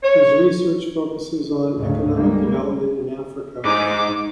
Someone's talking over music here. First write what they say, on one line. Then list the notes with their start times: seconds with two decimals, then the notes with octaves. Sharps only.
His research focuses on economic development in Africa.
0.03 C#5
1.77 D2 G#2 C#3
2.17 C#3 G3 G#3 A#3
3.65 G#2 D#4 D6